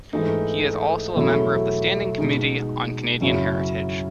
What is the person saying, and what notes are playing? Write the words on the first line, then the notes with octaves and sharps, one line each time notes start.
He is also a member of the Standing Committee on Canadian Heritage.
G#2 E3 A3 D#4
E2 B2 F#3 A3 E4
B2 G#3 D#4
F#2 C#3 F#3 C#4 E4